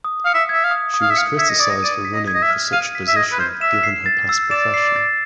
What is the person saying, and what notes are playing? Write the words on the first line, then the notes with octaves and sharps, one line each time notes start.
She was criticized for running for such a position, given her past profession.
D#6
F5 C#7
E5
E5 G#6
F5
D#6
D#6
F5
E5
F5 C#7
E5 G#6
D#5
D5 D#6
D#5
D5 D#7
B6
D#5
G#6
D#5
E5
F6
F5 D#7
B6
E5
D#5 G#6
B4
C5 F6
E5 E7
C7
A6
E6
D5 E7
C7
A6